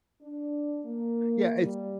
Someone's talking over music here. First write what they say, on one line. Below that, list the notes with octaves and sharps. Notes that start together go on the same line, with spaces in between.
Yeah. It's
D4
A#3
G3